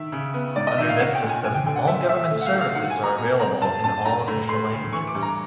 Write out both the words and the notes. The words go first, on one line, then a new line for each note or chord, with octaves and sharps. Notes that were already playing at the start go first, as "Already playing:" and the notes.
Under this system, all government services are available in all official languages.
Already playing: D#3 E5
C#3
B3
G#2 D5
D#5
D#3 E5
F5
C#4 F#5
G5
A#2
G#5
F#2 G#5
G5
D3 G5
F#5
A#2 E5
A#2 E5
A3 E5
F#5
F5
F#3
F5
D#3 F#5
G#5
A#3
A#5
B2 A#5
C4 A#5
F#2 A5
F#2 A5
A2 A#5
A2
A3 C6
D2
E3 C#6
D6
G2
A#5